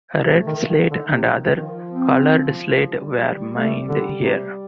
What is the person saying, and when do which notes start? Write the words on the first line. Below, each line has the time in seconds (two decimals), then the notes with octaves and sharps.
Red slate and other colored slate were mined here.
0.24 C3 A3
0.47 D#3
0.57 F3
0.69 D#3
0.91 D3 D#3
1.13 C3
1.57 D#3 F3
1.91 C4
2.24 F3
2.89 G3
3.56 A3
3.89 D3
4.21 C3